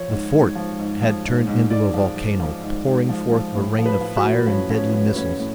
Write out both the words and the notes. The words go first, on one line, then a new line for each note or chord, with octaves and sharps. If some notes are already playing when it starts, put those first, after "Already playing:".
The fort had turned into a volcano, pouring forth a rain of fire and deadly missiles.
Already playing: F3 C#5
G#2
G#2
F3
G#2
F3
G#2
G#2
G#2 D5
F3
F3
F3
G#2
G#2
F3
F3
A2
F3
B4
F3
F#4
A2
F3 C#4
F3 C#4
F3 C#4
A2 C#4
A2